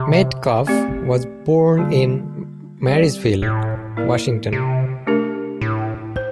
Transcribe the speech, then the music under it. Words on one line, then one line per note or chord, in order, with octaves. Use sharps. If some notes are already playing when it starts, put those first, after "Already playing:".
Metcalf was born in Marysville, Washington.
Already playing: C3
A3 C4 G4 D5
D3 G3 A#3 F4
G3 C4 G4 D5
A2
A#3 E4 A#4 D5
C3
A3 D4 G4 A#4
A2
C5